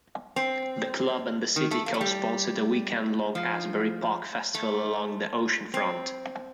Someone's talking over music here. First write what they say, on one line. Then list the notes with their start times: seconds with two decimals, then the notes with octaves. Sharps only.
The club and the city co-sponsored a weekend-long Asbury Park Festival along the oceanfront.
0.36 C4
1.56 D#3
1.71 A3
1.86 A#3
1.94 A3
2.01 G3
3.35 F3
4.55 A3
5.74 C4